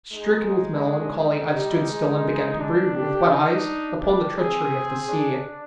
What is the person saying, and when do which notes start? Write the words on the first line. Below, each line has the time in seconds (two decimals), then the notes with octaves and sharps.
Stricken with melancholy, I stood still and began to brood, with wet eyes, upon the treachery of the sea.
0.13 G#3 D#4
0.84 D4
1.19 D#4
1.54 G3
1.90 G#3
2.60 D4
2.96 G4
3.31 D4 D#4
4.02 D4 G4
4.37 C4 G#4
5.08 D4